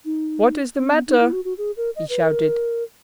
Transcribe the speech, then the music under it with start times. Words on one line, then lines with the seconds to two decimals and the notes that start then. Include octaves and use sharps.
"What is the matter?" he shouted.
0.05 D#4
0.81 C#4
0.94 B3
1.08 D#4
1.20 E4
1.33 F#4
1.45 F#4
1.58 G#4
1.77 A#4
1.96 D#5
2.09 B4
2.21 A#4